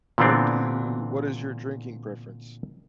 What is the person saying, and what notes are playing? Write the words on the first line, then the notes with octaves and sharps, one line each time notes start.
What do you what is your drinking preference?
A#2 D3 E3 B3 C4 D4